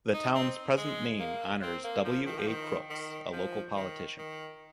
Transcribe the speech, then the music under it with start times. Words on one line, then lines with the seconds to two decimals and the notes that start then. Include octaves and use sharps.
The town's present name honors W. A. Crooks, a local politician.
0.13 D#4
0.35 C4
0.77 G#3
1.20 A#3
1.62 C4
1.84 A#3
2.05 F3
2.26 D#3
2.38 F3
2.47 D#3
2.90 D#3
3.32 F3
3.75 D#3
4.18 D#3